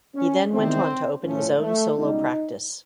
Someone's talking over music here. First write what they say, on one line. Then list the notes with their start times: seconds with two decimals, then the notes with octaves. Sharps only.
He then went on to open his own solo practice.
0.15 C#4
0.51 E2 C3 D#3 C4
1.23 A2 F3 A3 C#4
1.59 A3
1.94 C#2 B2 G3 D#4